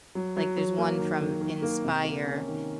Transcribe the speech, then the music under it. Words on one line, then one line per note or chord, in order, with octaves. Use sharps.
like, there's one from Inspire
F#3
F#3
F#3
A#3
D#3
D#3
D#3
A#3
C3
A#3
C#4
D#3